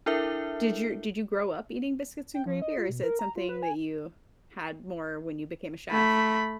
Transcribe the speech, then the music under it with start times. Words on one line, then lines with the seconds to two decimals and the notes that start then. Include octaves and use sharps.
Did you did you grow up eating biscuits and gravy? Or is it something that you had more when you became a chef?
0.06 D4 E4 A4 A#4 E5
2.34 G5
2.46 F3
2.62 D#5
2.78 F4
2.89 B2
3.03 A#4
3.19 A#5
3.36 F4
3.49 B4
3.63 G#5
5.91 A3 B5